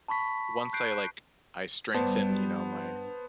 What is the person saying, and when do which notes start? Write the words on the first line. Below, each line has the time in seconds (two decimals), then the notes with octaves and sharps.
once I, like, I strengthen, you know, my
0.08 A5 B5 C#6 B6
0.73 F#6 G6 C7 D7
1.94 G2 B3 C5 D5 A5